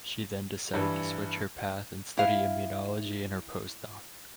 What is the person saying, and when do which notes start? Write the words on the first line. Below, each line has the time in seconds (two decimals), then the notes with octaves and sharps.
She then decided to switch her path and study immunology in her postdoc.
0.74 G2 E3
2.17 E4 F5